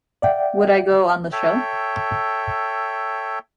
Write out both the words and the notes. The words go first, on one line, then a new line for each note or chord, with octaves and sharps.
Would I go on the show?
D5 E5 F#5 G5
A4 C#5 E5 G5